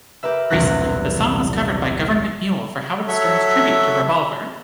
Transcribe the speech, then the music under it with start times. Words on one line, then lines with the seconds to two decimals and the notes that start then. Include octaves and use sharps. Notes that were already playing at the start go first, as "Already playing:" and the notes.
Recently, the song was covered by Gov't Mule for Howard Stern's tribute to Revolver.
0.23 G4 A#4 B4 E5
0.50 E1 C2 A#2 F#3 F#6 A#6
3.08 F#3 A4 C#5 E5